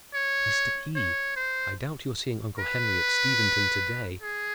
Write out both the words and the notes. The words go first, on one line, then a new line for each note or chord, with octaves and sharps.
Mr. E. I doubt your seeing uncle Henry at Steventon to-day.
C#5
C#5
C5
B4
G#4